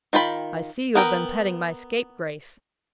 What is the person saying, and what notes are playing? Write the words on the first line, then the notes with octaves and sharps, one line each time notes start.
"I see you have been petting my scapegrace."
D#3 F4 G5 B5
B3 A#4 G5